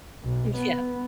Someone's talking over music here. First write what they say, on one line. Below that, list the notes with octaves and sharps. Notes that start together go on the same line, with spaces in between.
N yeah.
B1
B3